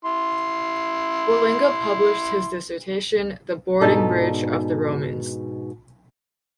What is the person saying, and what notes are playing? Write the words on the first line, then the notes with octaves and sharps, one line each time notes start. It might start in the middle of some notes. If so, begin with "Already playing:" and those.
Wallinga published his dissertation, "The Boarding-Bridge of the Romans".
E4 C6
G#2 B2 D4 D#4 A4